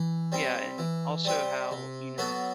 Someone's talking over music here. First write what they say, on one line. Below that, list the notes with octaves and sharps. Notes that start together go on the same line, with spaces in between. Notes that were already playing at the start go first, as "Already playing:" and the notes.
Yeah, and also how, you know,
Already playing: E3
G3 C4 G4
E3
G3 C4 G4
C3
F#3 B3 F#4 A4